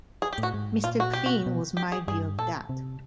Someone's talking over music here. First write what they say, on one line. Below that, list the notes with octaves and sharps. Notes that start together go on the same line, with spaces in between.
'Mr Clean' was my view of that.
G#4
G4
A2
F#4
G#2
A#2 F4
F#4
B2 G4
F#4
B2
G4
G#4
G2 G#4
A#2 A4
C3